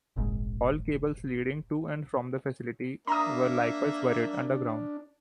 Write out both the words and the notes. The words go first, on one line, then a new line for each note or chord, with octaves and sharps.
All cables leading to and from the facility were likewise buried underground.
F1 A#1 G#2
A#3 D4 E5 A#5 D#6